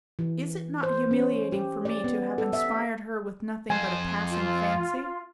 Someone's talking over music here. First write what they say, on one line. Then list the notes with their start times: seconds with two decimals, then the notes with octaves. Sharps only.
Is it not humiliating for me to have inspired her with nothing but a passing fancy?
0.19 E3
0.83 C5
1.11 C#4
1.52 G4
1.85 D5
2.04 B3
2.38 A4
2.53 E5
3.70 F2 C5 G#5
4.30 F4